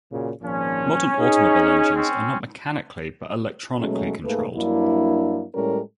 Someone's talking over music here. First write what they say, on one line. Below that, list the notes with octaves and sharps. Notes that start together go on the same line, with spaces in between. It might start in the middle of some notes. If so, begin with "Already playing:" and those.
Modern automobile engines are not mechanically but electronically controlled.
A#2 C#3 F#3
G#1 A#2 F3 C#4
D#4 G#4
C4 C#4
B2 F#3 G#3 A3 C#4
G#2 A3 A#3 G#4 B4
G2 F#3 A#3 D4 E4
A2 G3 G#3 C#4 A4 A#4